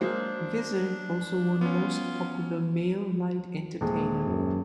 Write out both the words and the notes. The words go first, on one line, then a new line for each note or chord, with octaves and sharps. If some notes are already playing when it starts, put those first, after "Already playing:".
Vizard also won Most Popular Male Light Entertainer.
F#3 G#3 A#3 D4 C5
B3 C#4 F4
D#1 G#3
F#2